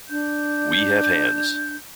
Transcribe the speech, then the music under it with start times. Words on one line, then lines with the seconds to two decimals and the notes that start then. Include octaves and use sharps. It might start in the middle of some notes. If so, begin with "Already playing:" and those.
We have hands.
0.09 D4 G6